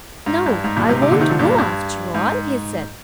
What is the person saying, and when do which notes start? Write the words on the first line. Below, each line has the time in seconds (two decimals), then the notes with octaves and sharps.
'No, I won't go, after all,' he said.
0.26 G#2
0.46 G2
0.64 G#2
0.77 G2 A#2
0.89 G#2 C3
1.02 G#2 C3
1.11 A#2 D3
1.21 C3 D#3
1.29 D3 F3
1.39 G2 A#2
1.58 G2
2.14 G#2